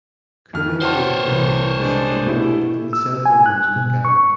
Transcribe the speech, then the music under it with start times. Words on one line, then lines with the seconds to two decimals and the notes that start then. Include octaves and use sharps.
Kumi was born in Assin North in the Central Region of Ghana.
0.53 F2 F6
0.82 F#4 C5 C#5 G5 A5 C6 F6
1.28 C2 E3
1.79 G#3 D4 G#4
2.26 B2 A3 E4 G4
2.93 E6
3.26 G#5
3.46 F#6
3.76 B2
4.05 C#6